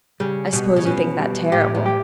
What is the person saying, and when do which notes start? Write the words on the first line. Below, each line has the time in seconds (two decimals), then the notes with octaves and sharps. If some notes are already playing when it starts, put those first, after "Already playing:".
"I suppose you think that terrible."
0.20 C#3 G3
0.53 B2 G3
0.76 C#3
0.85 B2 C#4
1.19 G3
1.52 A2 G4
1.75 A2
1.86 G4